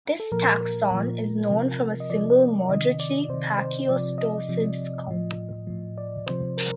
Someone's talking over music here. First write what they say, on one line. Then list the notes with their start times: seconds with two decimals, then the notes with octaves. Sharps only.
This taxon is known from a single, moderately pachyostosed skull.
0.20 A4
0.32 A#2 F3 A#4
0.61 A#4
0.91 A#2 F3
1.50 C3 F3
2.00 D#5
2.10 C3 F3 D5
2.69 C3 D#3 D#5
3.00 D5
3.29 C3 D#3 C5
3.58 C5
3.88 C3 F3 D5
4.18 D#5
4.49 C3 F3
5.08 A2 F3
5.67 A2 F3
5.98 D5
6.27 C3 F3 C5
6.57 A#4